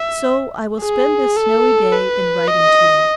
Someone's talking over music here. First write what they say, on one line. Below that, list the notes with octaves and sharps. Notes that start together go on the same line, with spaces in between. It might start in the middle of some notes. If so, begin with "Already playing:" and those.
So I will spend this snowy day in writing to you.
Already playing: E5
G#4
A4
B4
D#5